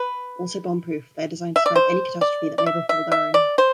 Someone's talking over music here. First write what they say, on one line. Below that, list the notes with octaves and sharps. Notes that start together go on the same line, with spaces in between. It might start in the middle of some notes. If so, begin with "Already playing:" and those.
Also bomb-proof, they are designed to survive any catastrophe that may befall their owner.
Already playing: B4
E5
D5
C5
D5
D5
E5
E5
E5
D5
C5